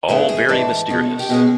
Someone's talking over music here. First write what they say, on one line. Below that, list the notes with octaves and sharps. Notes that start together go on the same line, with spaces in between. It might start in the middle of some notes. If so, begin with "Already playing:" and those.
All very mysterious!
G#2 E3 A3 D4 G#4
G#4
G#2 E3 A3 D4 A4
B2 G#3 C#4
G4
B2 G#3 C#4 G#4